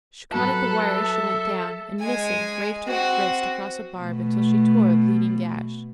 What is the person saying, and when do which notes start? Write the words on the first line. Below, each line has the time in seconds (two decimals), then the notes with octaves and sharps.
She caught at the wire as she went down, and missing, raked her wrist across a barb until she tore a bleeding gash.
0.32 F#3 F#4 A4 B4
0.87 E5
2.00 G#3 G#5
2.87 C4 F#4
3.96 B2 A3